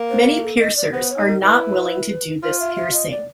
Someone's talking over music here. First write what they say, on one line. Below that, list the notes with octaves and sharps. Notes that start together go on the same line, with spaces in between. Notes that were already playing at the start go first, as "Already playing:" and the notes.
Many piercers are not willing to do this piercing.
Already playing: A#3
C5
A#4
A4
D#5
D5
B3 C5
C#5
D#4
A#4
E4 B4
F4 C5
E5
E5
D#5
D5